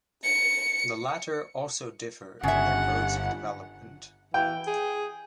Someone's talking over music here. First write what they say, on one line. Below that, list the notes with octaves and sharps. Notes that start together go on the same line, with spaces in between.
The latter also differ in their modes of development.
C#7
G1 C#3 E5 F#5
E3 G5
G#4